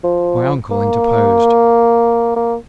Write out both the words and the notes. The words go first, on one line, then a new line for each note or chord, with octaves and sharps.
My uncle interposed.
F3
A#3
A#3